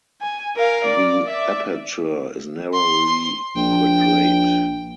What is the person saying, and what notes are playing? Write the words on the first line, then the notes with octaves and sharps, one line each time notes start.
The aperture is narrowly quadrate.
G#5
A#4 F5
D5
D5 E5
C6
A#1 G5